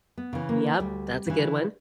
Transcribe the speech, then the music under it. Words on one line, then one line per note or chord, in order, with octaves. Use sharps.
Yep, that's a good one.
B3
C#3 E3
A#3
D2 G3
C#3 E3